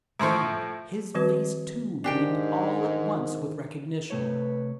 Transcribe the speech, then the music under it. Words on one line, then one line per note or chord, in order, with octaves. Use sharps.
Then his face, too, beamed all at once with recognition.
A2 F3 C5 C#6
D#3 F3 G3 C4 F#4 B4
G#2 D#3 D4 G4 G5
C3 A3 B4 C#5